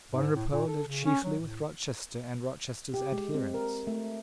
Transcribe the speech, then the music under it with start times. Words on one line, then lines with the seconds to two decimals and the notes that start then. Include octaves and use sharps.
Bonrepaux lived chiefly with Rochester and Rochester's adherents.
0.11 G#2
0.34 A2
0.51 A#2
0.68 A4
0.87 C#3
1.04 C#4
1.24 F#3
1.39 A2
2.94 G4
3.12 G#3
3.34 C4
3.54 A#4
3.87 A3